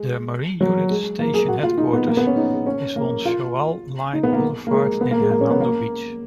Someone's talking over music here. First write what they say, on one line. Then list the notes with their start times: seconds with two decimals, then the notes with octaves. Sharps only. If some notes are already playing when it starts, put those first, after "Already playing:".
Their Marine Unit Station headquarters is on Shoal Line Boulevard in Hernando Beach.
Already playing: G#3
0.61 F#3
0.90 G#3
1.19 A#3
1.34 G#4
1.48 F#4
1.63 F4
1.78 D#4
1.93 B3
2.08 A#3
2.17 B3
2.27 C#4
2.36 D#4
2.66 C#4
2.96 A#3
3.25 F4
4.13 D#4
4.23 B3
4.33 A#3
4.67 A#3
4.71 G#3
5.01 B3
5.11 A#3
5.21 G#3
5.30 A#3
5.41 C#4
5.51 B3
5.61 A#3